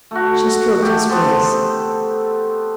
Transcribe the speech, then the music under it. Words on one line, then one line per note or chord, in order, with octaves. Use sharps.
She stroked his face.
A3 F#4
A3 G4
B3 C4 A4